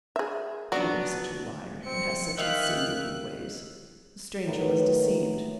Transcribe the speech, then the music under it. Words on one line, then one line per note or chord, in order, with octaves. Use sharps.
Reuben is such a liar, and has such insinuating ways. The stranger was deceived.
G#4 E5
F#3 B3 D4 F#4 D5
C4 C#7
D#3 E5 F5 F#6
A2 D#3 F#3 B4